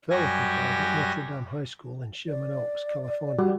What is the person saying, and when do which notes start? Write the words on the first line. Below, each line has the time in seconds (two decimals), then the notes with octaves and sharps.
Vella prepped at Notre Dame High School in Sherman Oaks, California.
0.10 F#2 G3 F#4 G4 G#5 A#6
2.28 D5
3.39 G3 F#4